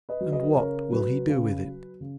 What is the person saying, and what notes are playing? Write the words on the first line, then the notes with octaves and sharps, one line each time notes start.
And what will he do with it?
B4 D#5
F#3
B4 D#5
C#3 A#4 C#5
F#3 B4
C#3
F#3
C#3